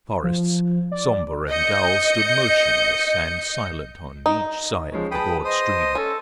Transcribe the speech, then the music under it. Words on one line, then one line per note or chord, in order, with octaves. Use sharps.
The forests, sombre and dull, stood motionless and silent on each side of the broad stream.
F3
D5
D#5 G6 C#7
D#4
F3 G#3 C#4
G#4 B4 G5 A5 B5 D#6
C5 D#5 D#6
C#4 A4